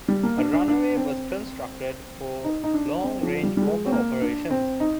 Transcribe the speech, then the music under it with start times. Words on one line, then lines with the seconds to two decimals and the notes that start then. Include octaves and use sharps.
A runway was constructed for long-range bomber operations.
0.08 G3
0.23 A#3
0.38 D4
0.53 D4
0.68 D4
0.97 C4
2.44 D#4
2.64 D#4
2.74 D4
3.03 C4
3.23 F3
3.43 G3
3.57 G3
3.62 G#3
3.86 C4
3.92 A#3
4.21 D4
4.51 C4
4.80 D#4